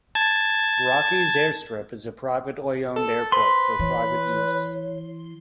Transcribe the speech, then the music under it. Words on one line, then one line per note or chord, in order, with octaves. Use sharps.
Rockey's Air Strip is a privately owned airport for private use.
A5 G#6
A4
B4 C5 C6
E3 C#5